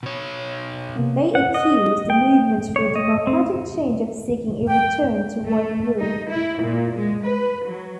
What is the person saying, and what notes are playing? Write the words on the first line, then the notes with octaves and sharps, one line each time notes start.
They accuse the Movement for Democratic Change of seeking a return to white rule.
B2 C#5
C3 A#3 B3
F#5
D#5
G5
C#5
D#5
C4
G5
A3
D#4
E4
A#2
G#3
B4
F#3